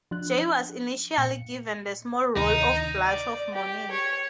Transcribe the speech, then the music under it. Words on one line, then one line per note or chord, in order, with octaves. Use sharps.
Jay was initially given the small role of Blush-of-Morning.
F3 D4 F#6
A#2 C#7
D2 C3 D#3 D#4
D5
G4
C#5